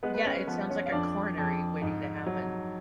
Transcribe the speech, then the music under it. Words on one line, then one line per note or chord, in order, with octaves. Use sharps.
yeah, it sounds like a coronary waiting to happen.
G#3 B3 B4
B4
C#4 C#5
F3 B3 B4
C#4 C#5
F5
F2 D4 D5
F2
G#2
F#3